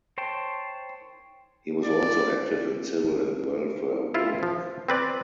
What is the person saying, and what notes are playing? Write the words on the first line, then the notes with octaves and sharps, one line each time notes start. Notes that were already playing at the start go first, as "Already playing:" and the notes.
He was also active in civil and welfare work.
C5 C#5 G5 A5
D5
E4 F4
F3
C4 B4 D5